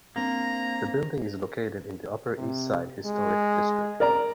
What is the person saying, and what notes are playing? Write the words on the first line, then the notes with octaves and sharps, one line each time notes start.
The building is located in the Upper East Side Historic District.
A#3 C4 D4 A#5
C3
G#3
A#4 D5 A#5